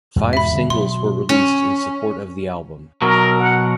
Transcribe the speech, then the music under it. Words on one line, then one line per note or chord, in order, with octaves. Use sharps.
Five singles were released in support of the album.
E2 G#2 B2
E5 B5
F2 D3 G3
B2 F#3 C6
C#4
B2 F#3 A#4
F#5